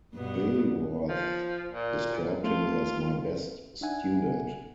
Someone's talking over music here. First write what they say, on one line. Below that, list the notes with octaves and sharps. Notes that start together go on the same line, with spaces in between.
Billroth described him as my best student.
G2 B2 B3
F3
A#2
A3 F4
D4 D#4 E5 F#5 G#5